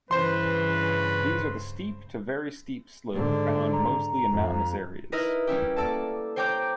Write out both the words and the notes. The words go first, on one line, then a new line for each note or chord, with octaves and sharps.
These are the steep to very steep slope found mostly in mountains areas.
G2 C#3 E3 B4 C5 C6
G#2 D3
A#5
F2
D#4 E4 A#4 B4 D#5
G3 C#4 E4 G4
A#3 A4 D5 A5
C5 C#5 G5 A#5 D6 G6